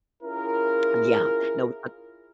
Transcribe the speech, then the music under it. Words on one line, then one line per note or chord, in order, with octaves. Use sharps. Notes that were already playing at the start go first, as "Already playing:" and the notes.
Yeah. No, uh
C#4 E4 F4 G#4 A#4